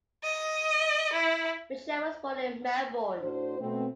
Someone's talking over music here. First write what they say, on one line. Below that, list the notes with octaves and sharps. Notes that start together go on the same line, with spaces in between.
Mitchell was born in Melbourne.
D#5
E4
A2 D4 F#4 C5
B2 A3 B3 C4